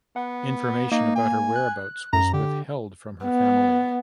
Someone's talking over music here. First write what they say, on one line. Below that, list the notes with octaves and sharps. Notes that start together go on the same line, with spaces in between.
Information about her whereabouts was withheld from her family.
B3 F#5
A#3 D#4
G#5
F#6
F#2 A#5
D3 G4
B3